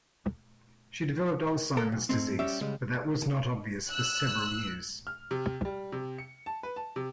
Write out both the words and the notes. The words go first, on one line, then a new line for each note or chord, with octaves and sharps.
She developed Alzheimer's disease but that was not obvious for several years.
A4 A#4
B1
G#2 A3 C4
G3 C#4 G4 D5 E5
C#3 G3 G#3
E6 F#6
F6
C3
G3
C3
C#7
A5
B4
A5
C3